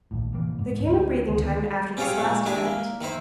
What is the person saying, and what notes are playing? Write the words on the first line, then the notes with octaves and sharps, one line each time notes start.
There came a breathing-time after this last event.
A#1 D#2 A2
C3 E3 A#3
G#2
D2
D2 D#3 E3 B3
C4 C#4 F4 G4 G#4 C#5
A#2 G#3
G#3 D4 E4 G4 G#4
A#3
D#3 D#4 E4 C5